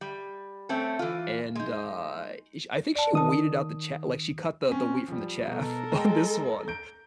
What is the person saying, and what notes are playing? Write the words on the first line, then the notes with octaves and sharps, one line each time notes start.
and, uh, ish I think she weeded out the cha like, she cut the the wheat from the chaff on this one.
G3
A3 C4 C#4 A4
E3 F4
G#3 D#4
D5 A5
D#3 A#4 A5 D#6
C4 C#4
F3 G3
B2 A4 A#4
G#3 G5
G6 D7